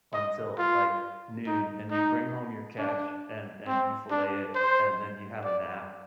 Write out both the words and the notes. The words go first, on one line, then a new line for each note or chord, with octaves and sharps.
until, like, noon, and you bring home your catch and and you fillet it and then you have a nap,
D#5
F4
D#4
D#4
D4
C4
D4
C5
D5